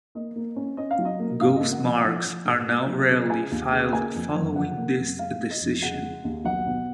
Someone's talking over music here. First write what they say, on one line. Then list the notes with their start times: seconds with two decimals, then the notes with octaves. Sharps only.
Ghost marks are now rarely filed following this decision.
0.15 A#3 D#5
0.36 A#3
0.56 C#4
0.77 C#4 D#5
0.91 F5
0.99 F#3
1.05 D#5
1.19 A#3
1.41 G#2 F5
1.56 D#5
1.61 A#3
1.72 F#5
1.82 F3
1.87 F#5
2.04 F3
2.25 F3
2.45 G#2
2.67 A#3
2.87 F#3
3.08 C#3
3.30 C#3 G#5
3.51 D#2
3.72 C#3
3.93 A#3 G#5
4.14 F2
4.34 F#1
4.55 F3 F#5
4.77 A#3
4.98 F#1
5.19 G#3 F5
5.40 G#3
5.50 D#5
5.61 F1
5.82 C#3 F#5
6.02 G#3
6.24 D#2
6.44 B1 F#5
6.66 B2